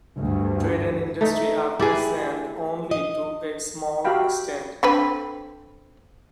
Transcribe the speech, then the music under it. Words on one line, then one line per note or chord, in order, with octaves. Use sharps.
Trade and industry are present only to a small extent.
D2 G2
A3 D#4
E4 G4 G#4 D5
D#5
F#4 G4 E5 F5 G5 B5
D3 C4 B4